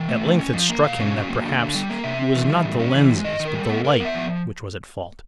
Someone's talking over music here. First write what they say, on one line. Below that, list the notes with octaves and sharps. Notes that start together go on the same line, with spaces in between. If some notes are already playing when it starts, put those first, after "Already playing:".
At length, it struck him that perhaps it was not the lenses but the light which was at fault.
Already playing: E3 G5
A3
D3
C#4
F3
A#3
B2 F5
C#4
F#3
A#3
D3
D3
G3
A#3
C3 E5
C4
E3
G3
A2
C#4
E3
G#3
D#3 D#5
D#3
A#4
G3
B3 A4
A2 A#4
B3 E5
F3